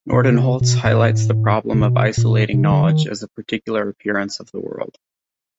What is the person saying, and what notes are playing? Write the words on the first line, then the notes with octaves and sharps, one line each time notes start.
Nordenholz highlights the problem of isolating knowledge as a particular appearance of the world.
B2
C#3
C3
B2
A2
C3
B2
A#2
C3
D#3
D3
E3
D#3